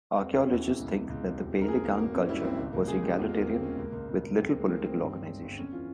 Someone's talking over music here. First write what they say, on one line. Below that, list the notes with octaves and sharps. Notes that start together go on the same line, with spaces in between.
Archaeologists think that the Peiligang culture was egalitarian, with little political organization.
F1 C4
F1 C#4
E2 E4
E2
C#2
C3
C#2
C3
E1
E1
A#4
C#3 G#4
E1 A#3
G#1 A#3
G#1 C#4
G3 E4
G#1 C4
C#2
C#2 A#3
C#2 G#4
C#3 G4
E2 F4
G#3
E1 A#3
G#3 C4
G#3 C#4
C#2 A#3
C#2 A#3
C#2
C#2
C#2 C4
A#3
C#2 G#3
E3 A#3
G#3 C4
G2
G1
G#3
G1
C4
F2 C#4
E3 F4